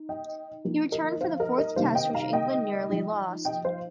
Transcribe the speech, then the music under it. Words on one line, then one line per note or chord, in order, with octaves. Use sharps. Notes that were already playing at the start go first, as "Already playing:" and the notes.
He returned for the fourth Test which England narrowly lost.
Already playing: D#4
D#5 G5
F3 A#3 D#4
A#4 D#5
C5 F5
A#4 D#5
A#4 D#5
C3 D#3 G3 A#3 D#4 C5 F5
D#5 G5
F5 A#5
D#5 G5
F3 D#4
D#5 G5
C5 F5